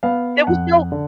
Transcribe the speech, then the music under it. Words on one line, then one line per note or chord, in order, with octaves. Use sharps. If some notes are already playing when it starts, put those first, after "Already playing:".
there was no"
B3 F5
F2 F#5
D3